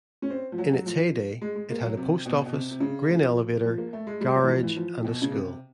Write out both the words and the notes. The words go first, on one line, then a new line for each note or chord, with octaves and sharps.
In its heyday, it had a post office, grain elevator, garage, and a school.
C#4
C4
F3
F#3
F#3
F3
G#3
G#3
A#3
F#3
C3
B2
B2
C3
C3
C#3
F3
F3
A#3
A3
G#3
G3
F#3
E3
F3
E3
F3
B2
C#3
C3